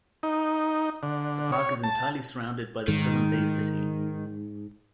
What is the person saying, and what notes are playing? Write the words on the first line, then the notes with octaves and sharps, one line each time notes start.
The park is entirely surrounded by the present-day city.
D#4
D3
C#5
A5
G#2 D#3